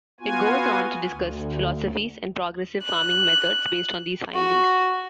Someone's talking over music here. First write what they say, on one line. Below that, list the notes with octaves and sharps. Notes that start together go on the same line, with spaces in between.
It goes on to discuss philosophies and progressive farming methods based on these findings.
B3 F4 F#4 G#5
D2
F#6
F#4